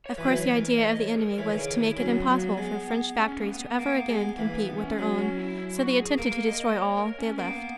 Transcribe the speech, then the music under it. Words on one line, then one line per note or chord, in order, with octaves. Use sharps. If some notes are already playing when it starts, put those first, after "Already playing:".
Of course, the idea of the enemy was to make it impossible for French factories to ever again compete with their own so they attempted to destroy all they left.
C#5
E3 B4
F#3
E3 B4
C#5
A#4
D#5
D#5
C#5
G#4
A#4
E3 C#5
D#3
C#3 C#5
D#3
E4
F#3 C#4
B3
F#3 A#3
B3
G#3
C#4
A#3
B3
A#3
G#3
E3 A#3
A#3
B3
C#4
F#3 B3
C#4
E4
E4
F#4
G#4
A#3 A#4
D#5
C#5
A#4
C#4
A#3 B3